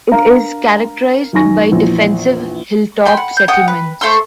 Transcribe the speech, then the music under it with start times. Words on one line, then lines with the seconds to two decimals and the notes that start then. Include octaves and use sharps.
It is characterized by defensive hilltop settlements.
0.11 D4 A#4 F5 A#5
1.33 F#2 D#3 D#4 G#5 C#6 A#6
1.72 A#1 E2
3.05 G5 B5 C6
3.17 F#5
3.37 G6
3.48 F#5 G5 D#6
3.68 B4
4.01 A3 C5 C6 E6